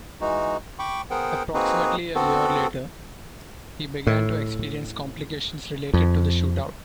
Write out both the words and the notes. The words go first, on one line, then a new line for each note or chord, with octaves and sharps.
Approximately a year later, he began to experience complications related to the shootout.
E3 G#3 D#4 F#4
G5 B5 C#6 D6
B3 G#4 A#4 C5 F#5 G5
A#3 C4 D#4 F#4 G#4 B4
B3 C4 F#4 A4
A2
F2